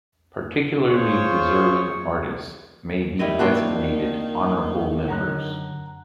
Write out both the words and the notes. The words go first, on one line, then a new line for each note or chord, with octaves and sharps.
Particularly deserving artists may be designated honorable members.
F4 G#4 C5 C#5
D#3 G3 E4 D#5
A#3 C4 D4 F4 F#4 A5
F#2 D3 F#5 A#5 F#6